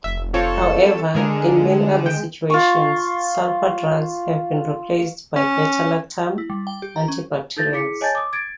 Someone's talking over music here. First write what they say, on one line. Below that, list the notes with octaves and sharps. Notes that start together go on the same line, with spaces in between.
However, in many other situations, sulfa drugs have been replaced by beta-lactam antibacterials.
F1 E5
C4 F4 A4 C#5
D3 G#3 G#4 A#4
G5
F4 C#6
C#4
E4
G3
G5
G4
A#5
C#4
D#4 A4 G6 A6 A#6
E4 G#4 D6 B6 C#7
C#5 D#5 G#5 A5 G6 A6
D6 D#6
G#6 A6 D7